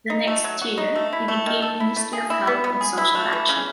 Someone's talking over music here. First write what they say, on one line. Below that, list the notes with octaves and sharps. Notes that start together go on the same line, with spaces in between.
The next year, he became Ministry of Health and Social Action.
D#4
A3
F#3
F#4
D#4
A3
E4
A3
D#3
A4
E4
A3
G#4
E4
B3
B3
G#4
E4
A3
E3
C#3